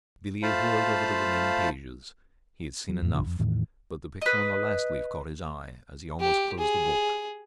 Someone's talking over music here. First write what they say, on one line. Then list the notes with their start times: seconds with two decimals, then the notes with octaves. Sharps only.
Villiers whirled over the remaining pages; he had seen enough, but the picture on the last leaf caught his eye, as he almost closed the book.
0.43 A3 F4 C5 F5 A5 B5
2.89 F#3
3.02 F2 A2
3.14 A#1 G2 D3 F3
3.26 F2
3.39 E2 A2 D#3 E3
4.21 B4 D#5
6.20 G4
6.59 G#4